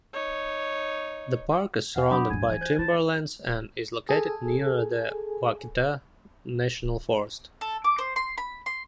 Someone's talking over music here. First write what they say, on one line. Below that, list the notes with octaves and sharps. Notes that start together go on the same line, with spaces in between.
The park is surrounded by timberlands and is located near the Ouachita National Forest.
D#4 C#5
E2 B2 F5 F#5 G#5
F#3 D4 G4 F#5 B5 D#6
C#2 G2 G#5 G#6
E3
C5 F#6 G6
E3 A5
G#4 A4 G#5
A4
D6
C5
C6
B5
C6